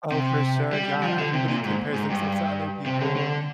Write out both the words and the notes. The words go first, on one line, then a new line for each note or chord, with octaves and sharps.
Oh, for sure, yeah everybody compares themselves to other people.
C3
G3
F3
D3
C3
A#2
G#2
G#2
G2
C3
D3
D3